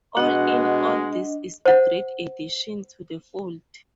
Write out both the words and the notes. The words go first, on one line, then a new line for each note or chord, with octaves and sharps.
All in all this is a great addition to the fold.
B2 G#3 D4 D#5 F#5
C5 F#5